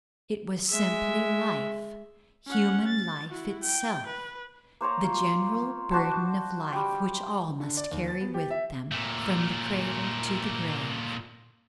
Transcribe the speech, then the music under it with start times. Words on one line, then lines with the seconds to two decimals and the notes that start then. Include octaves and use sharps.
It was simply life, human life itself, the general burden of life which all must carry with them from the cradle to the grave.
0.70 G#3 E5
2.47 C#4 F#5
2.87 A6
3.30 E4 F#4
3.63 G5
4.07 B4
4.81 A#3 C5 C#5 A#5
5.04 F4
5.91 D4 F#4 C5 A5
6.73 G3 G5
7.60 D3
7.77 D5
7.91 D#2
8.08 A6
8.21 B3
8.34 G4
8.50 E5
8.92 A#2 A3